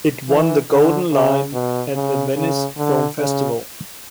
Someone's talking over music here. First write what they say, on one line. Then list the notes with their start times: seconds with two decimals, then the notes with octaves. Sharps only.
It won the Golden Lion at the Venice Film Festival.
0.29 E3
0.70 D3
1.12 C#3
1.53 B2
1.95 C#3
2.36 C#3
2.77 D3
3.19 C#3